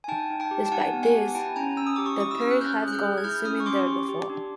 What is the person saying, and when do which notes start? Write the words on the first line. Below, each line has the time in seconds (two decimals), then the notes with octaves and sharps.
Despite this, the pair had gone swimming there before.
0.04 G#5
0.08 D#4 G5 A5
0.30 D#4
0.40 G5 A5
0.51 G4
0.66 A5
0.72 D#4 F#5 G#5
0.93 B3
1.03 F#5 G#5
1.14 G4
1.28 G#5
1.35 E4 G5 A5
1.56 C#4 G#5 A#5
1.76 C#4 E6
1.87 D#6
1.96 G4 D6
2.06 C#6 D#6
2.18 E4 D#6
2.31 E6
2.40 C#4 F6
2.51 F#6
2.61 C#4 F6 G6
2.82 G#4
2.88 F#6
2.92 F6 G6
3.03 G#4
3.18 G#6
3.24 E4 F6 G6
3.45 C#4 D#6 F6
3.60 C#6
3.66 C#4 C6 D6
3.87 G4
4.09 G4
4.30 D4